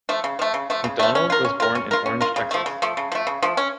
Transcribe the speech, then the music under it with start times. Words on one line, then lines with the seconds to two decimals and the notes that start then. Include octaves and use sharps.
McDonald was born in Orange, Texas.
0.09 F3 A3
0.24 C#3
0.39 F3 A3
0.54 C#3
0.70 F3 A3
0.84 C#3
0.99 F3 A3
1.15 C#4
1.30 F4 A#4
1.45 C#4
1.60 F4 A#4
1.75 C#4
1.91 F4 A#4
2.06 C#4
2.21 F4 A#4
2.36 C#3
2.51 F3 A3
2.66 C#3
2.82 F3 A3
2.97 C#3
3.12 F3 A3
3.27 C#3
3.43 F3 A3
3.57 C#4